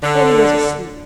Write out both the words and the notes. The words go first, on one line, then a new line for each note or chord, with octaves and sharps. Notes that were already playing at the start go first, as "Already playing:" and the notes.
Elly was asleep.
D3